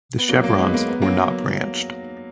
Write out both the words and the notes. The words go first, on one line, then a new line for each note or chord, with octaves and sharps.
The chevrons were not branched.
B3
F#3 A#3
F#3 A#3
G#3 B3
A#3
B3
F#3 A#3